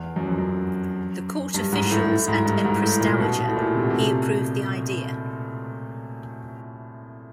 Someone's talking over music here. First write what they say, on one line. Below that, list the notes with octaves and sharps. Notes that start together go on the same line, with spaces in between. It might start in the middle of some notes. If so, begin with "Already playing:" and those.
The court officials and Empress Dowager He approved the idea.
Already playing: E2
F#2
F2
F#2
G2
G#2
A2
A2
G#2
G2
G#2
A2
A#2
B2
B2
A2
A#2
C3
B2
C3